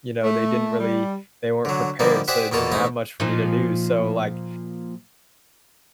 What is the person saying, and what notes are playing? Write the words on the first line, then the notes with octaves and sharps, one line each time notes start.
you know, they didn't really they weren't prepared, so they didn't have much for me to do, so, like
A3
G3
D3 F#3
D3 F3 G3 A#3 D#4
G4 G#4 C5 D5 E5 F#5
E2 B2 A#3 F4 A4
A1 G#2 A3 D#4 D#6
A#2 F3 D#4